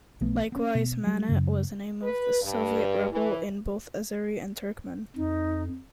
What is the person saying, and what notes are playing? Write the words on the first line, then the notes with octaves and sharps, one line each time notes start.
Likewise, 'manat' was the name of the Soviet ruble in both Azeri and Turkmen.
B1 F3 A3 B3
B3 C#4
B2
F#3 G3
F#2 C#3
B4
G2
E3
F2 D#4